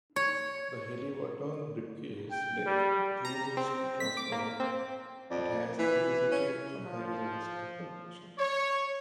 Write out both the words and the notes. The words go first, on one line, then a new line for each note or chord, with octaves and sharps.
The Haliburton briefcase Blake uses to transport it has elicited comparisons to "Pulp Fiction".
C#5
G5
G3
A#5
C4
B6
D6
A#3
C4
F2 D5
E3 B4
C#4
F3
C#5